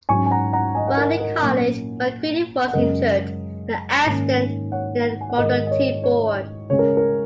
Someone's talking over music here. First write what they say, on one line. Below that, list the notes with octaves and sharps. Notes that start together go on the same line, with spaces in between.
While in college, Macready was injured in an accident in a Model T Ford.
G#2 F#3 C#4 G#5 C#6
G#5
F#5 A#5
F#5 A#5
D#5 G#5
F#5
A#4 D#5
A#4 D#5
A#2 F#3 A#3 C#4
F#5
F#2 C#3 G#3 C#4 A#4 D#5
G#2 D#3 A#3 C#4
C#5 F#5
G#5
F#5
G#2 D#3 G#3 A#4 D#5
D#5
C#5
C#5
C#3 G#3 C#4 C#5
A#4
A#4